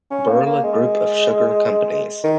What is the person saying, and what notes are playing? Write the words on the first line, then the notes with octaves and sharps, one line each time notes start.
Birla Group of Sugar Companies.
C#4
A#3
A#3
G#3
D#3